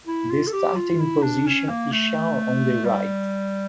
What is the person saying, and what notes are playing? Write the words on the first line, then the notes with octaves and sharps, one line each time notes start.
The starting position is shown on the right.
E4
F4
A4
G4
F4
E4
D4
C#4
A#3
A3
G3